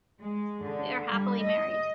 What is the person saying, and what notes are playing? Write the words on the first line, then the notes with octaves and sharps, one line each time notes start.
We are happily married.
G#3
D3
G3
D#5